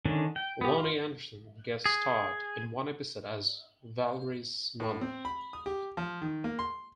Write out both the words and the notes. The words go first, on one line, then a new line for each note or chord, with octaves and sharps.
Loni Anderson guest-starred in one episode as Vallery's mother.
D3 D#3 C#4 D4
G5
B3 G4
F4
G#4
A2
C4
B5
D#6
G4
F3
D#3
A#3
C6